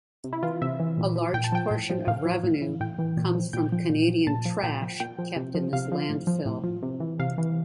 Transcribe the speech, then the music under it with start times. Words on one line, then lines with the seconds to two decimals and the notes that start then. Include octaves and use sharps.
A large portion of revenue comes from Canadian trash kept in this landfill.
0.24 C3
0.33 E4
0.43 E3 F4
0.62 C3 E5
0.80 E3
0.98 A#2
1.16 F3
1.34 A#2 G5
1.44 A5
1.52 F3 G5
1.71 A2
1.90 F3
2.07 A2 F5
2.26 F3
2.44 A2
2.62 E3
2.80 A2 G5
2.99 E3
3.17 A#2
3.35 F3
3.53 A#2 G5
3.72 F3
3.89 A#2
4.08 F3
4.27 A#2 A5
4.45 F3
4.63 A#2 G5
4.82 F3
5.00 A#2 G5
5.19 F3
5.36 C3
5.55 F3
5.73 C3 F5
5.92 F3
6.09 A2
6.27 F3
6.46 A2
6.64 F3
6.83 C3
7.00 E3
7.19 C3 F5
7.38 E3